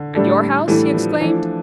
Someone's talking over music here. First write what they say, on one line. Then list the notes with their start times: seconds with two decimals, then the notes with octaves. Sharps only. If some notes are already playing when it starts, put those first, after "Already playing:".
"And your house?" he exclaimed.
Already playing: D3
0.15 A2 G3 D4 A4
0.67 A2 E3 G3 D4 A4
0.94 F3
1.21 E3 F3 A3 D4 A4 D5